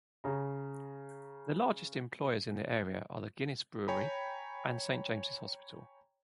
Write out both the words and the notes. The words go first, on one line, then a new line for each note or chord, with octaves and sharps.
The largest employers in the area are the Guinness Brewery and Saint James's Hospital.
C#3 A#5
C#5 G5 G#5 A#5 B5